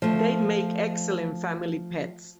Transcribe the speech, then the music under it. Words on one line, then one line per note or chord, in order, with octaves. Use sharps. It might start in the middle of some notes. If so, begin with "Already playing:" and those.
They make excellent family pets.
F3 A3